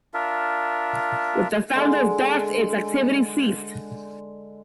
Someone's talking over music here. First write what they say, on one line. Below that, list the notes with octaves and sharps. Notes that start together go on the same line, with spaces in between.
With the founder's death, its activities ceased.
D4 F4 A#4 E5
D3 G#3